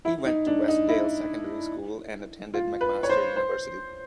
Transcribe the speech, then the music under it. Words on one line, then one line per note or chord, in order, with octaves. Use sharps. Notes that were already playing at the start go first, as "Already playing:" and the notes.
He went to Westdale Secondary School, and attended McMaster University.
E4
D#4
D4
D#4
E4
F4
B4
C#5
C5
C5